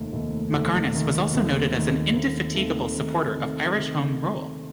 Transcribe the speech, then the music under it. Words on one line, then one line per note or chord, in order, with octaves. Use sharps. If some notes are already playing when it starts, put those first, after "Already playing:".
Mackarness was also noted as an 'indefatigable' supporter of Irish Home Rule.
Already playing: F1 D#2 D#3 A3
F1 D#2 D#3 A3
F1 D#2 D#3 A3
F1 D#2 D#3 A3
D#2 D#3 A3 C4
D#2 D#3 A3 C4
D#2 D#3 A3 C4
D#2 D#3 A3 C4
C3 D#3 A3
C3 D#3 A3
C3 D#3 A3